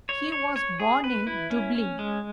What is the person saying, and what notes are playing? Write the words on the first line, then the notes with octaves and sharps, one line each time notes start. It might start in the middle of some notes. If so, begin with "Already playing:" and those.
He was born in Dublin.
C#5
C#5
C#5
G#4
B4
E4
C#4
C#4
G#3